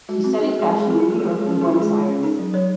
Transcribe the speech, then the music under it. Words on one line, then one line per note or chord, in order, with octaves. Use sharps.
She studied fashion in New York and Buenos Aires.
G#3 F#4
C4 F#4
D#4 G#4
A#4
G#3 G#4
G#3 A#4
G#4
C4 A#4
F4 G#4
A#4
G#3 G#4
G#3 A#4
G#4
C#4 A#4
F4 G#4
A#4
G#3 G#4
G#3
C#4
D#4 A#4
F#3
F#3 C#5